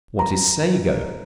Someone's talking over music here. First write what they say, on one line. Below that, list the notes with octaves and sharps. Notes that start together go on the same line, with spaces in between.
What is Sago?
A#5